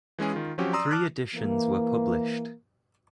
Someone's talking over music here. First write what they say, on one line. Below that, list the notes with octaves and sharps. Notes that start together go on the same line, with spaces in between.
Three editions were published.
E3 G#3 C#4 G#4
D#3 F4
F3 F#3 C4 C#4 F#4 G4
D5 A#5 C6 D#6 E6
A5 D6 F6 F#6
E3 A#3